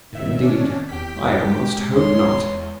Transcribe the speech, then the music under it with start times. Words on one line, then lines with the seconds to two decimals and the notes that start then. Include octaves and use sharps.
Indeed, I almost hope not.'
0.13 A2 D#3 C4 E5
0.43 C#4 D4
0.89 E2 G4 G5 B6
1.40 G#3
1.93 E2 C#5 C6